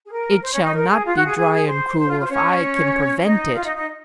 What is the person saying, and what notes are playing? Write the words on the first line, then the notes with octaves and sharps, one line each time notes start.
"It shall not be dry and cruel, if I can prevent it."
G#4
A#4
C5
C#4 C#5
D#4 D#5
A#4
G#4
F4
F#4
G#4
G#4
G#4
C5
C5
F4
F4
C5
C#4 C#5
D#4 D#5
F4 F5
D#4 D#5
D#4 D#5